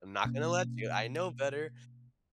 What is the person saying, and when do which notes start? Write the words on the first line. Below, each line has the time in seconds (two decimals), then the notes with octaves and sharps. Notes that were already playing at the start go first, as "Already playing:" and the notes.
I'm not gonna let you, I know better."
0.25 B2 A#3 C#4